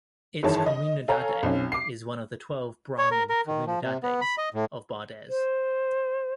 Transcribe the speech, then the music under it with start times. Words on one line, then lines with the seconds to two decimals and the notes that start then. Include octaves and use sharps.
Its comunidade is one of the twelve Brahmin comunidades of Bardez.
0.43 G1 D#3 E3 G#4 C#5 A5
0.66 D#5
1.08 A4 C#5 F5 G#5 A#5
1.43 B1 C4 C#4
1.72 D6 C7
2.98 C#5
3.11 A#4
3.30 A#4
3.47 D#3
3.67 F3
3.82 C3
4.03 B3
4.21 B5
4.38 D#5
4.54 A2
5.29 C5